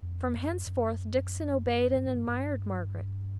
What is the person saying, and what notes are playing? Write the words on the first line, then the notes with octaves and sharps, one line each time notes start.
From henceforth Dixon obeyed and admired Margaret.
F2
F#2
F#2
G2
G#2
G2
G2